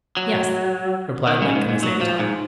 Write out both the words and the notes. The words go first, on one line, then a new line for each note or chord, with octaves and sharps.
"Yes," replied Link in the same tone.
F#3
D#3
C#3
G#2
G#2
F#3
F3
G#2